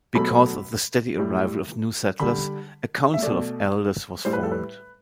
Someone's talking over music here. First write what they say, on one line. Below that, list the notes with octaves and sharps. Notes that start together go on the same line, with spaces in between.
Because of the steady arrival of new settlers, a council of elders was formed.
B2 F#3 A3 B5
A2 G3
D3 G3 B5
E5
B2 A3 D5
A2 G3 C5
B4
A4
B4